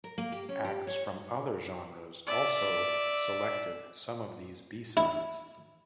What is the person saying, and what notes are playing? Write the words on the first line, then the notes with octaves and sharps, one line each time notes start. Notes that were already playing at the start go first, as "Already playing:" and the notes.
Acts from other genres also selected some of these B-sides.
A#4
A#3
G4
C#4
G4
C#5
D5 E5
E4